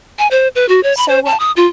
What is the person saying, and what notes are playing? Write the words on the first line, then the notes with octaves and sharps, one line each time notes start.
So, uh
G#5
C5
B4
F#4
C#5
B5
C5
A5
D#6
F4